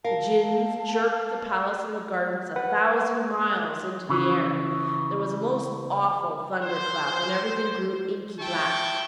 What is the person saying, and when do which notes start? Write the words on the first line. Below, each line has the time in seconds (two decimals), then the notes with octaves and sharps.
The Djinns jerked the Palace and the gardens a thousand miles into the air: there was a most awful thunder-clap, and everything grew inky-black.
0.05 A#4 F5 A5
2.56 B4 F#5
4.09 C#3 E3
6.61 C5
8.39 E4 G5 A5 C#6